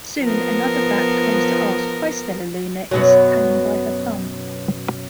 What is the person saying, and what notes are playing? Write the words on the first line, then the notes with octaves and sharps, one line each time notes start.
Soon another bat comes to ask why Stellaluna is hanging by her thumbs.
F3 B3 A#4
F#2 B2 F#3